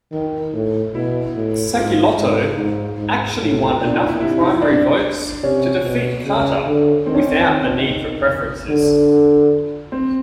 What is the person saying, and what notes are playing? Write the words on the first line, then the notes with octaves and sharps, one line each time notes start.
Sacilotto actually won enough primary votes to defeat Carter without the need for preferences.
D#3
A2
B2 E4
A2
G#2 F4
G#2
G#2 D#4
G#2
A2
A#2 D4
D#4
E4
C3 E4
D#4
G2 D4
C3 C#4
B2
C#3
D3
D#3 C4
C#4
C4
D#3 C#4
D3
C4